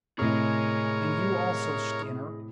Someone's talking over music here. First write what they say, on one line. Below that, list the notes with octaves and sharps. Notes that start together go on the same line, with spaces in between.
And you, also, Skinner?
A2 C3 G#4 A#4 C#5 D#5